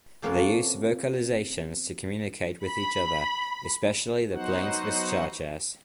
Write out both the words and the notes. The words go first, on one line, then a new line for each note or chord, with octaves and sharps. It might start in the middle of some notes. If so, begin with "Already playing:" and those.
They use vocalizations to communicate with each other, especially the plains viscachas.
C3 F3 A#3 B3 C#4 A4
B5
F#3 B3 D#4 F#4 C5 F#5